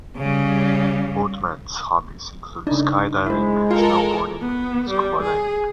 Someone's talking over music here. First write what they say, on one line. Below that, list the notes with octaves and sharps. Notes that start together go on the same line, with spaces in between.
Boatman's hobbies include sky diving, snowboarding, and scuba diving.
C#3 G3
C#3 D4 D#4
G#3 E4 C5
F4 A4 A#4
B3
G3
G#4